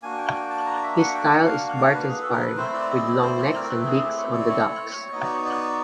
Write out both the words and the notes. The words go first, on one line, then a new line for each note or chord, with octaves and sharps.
His style is Barks-inspired, with long necks and beaks on the ducks.
A#3 D4 F#4 G#5
G5
G5
A5
A#5
E5
F#5
G5
F#5
F5
F5
B4
G#4
A4
A#4
B4
A3 C4 E4 C5
D5
D#5
D5
C5
D5
A#4
A#4
B4
G#4
G4
C#5
D5
C#5
B3 D#4 F#4 D#5
D5
C#5
D5